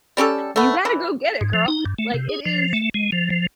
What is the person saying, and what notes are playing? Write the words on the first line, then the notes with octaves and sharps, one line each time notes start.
you gotta go get it, girl, like, it is
G3 C#4 G4 A4
A3 B3
E3
G#2
F3
D#4
G2
A3
C3
G#4
F3
A3
G#3
F3
F3